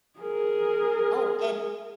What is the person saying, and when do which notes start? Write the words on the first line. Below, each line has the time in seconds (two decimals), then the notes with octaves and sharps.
Oh, and
0.20 G#4 A#4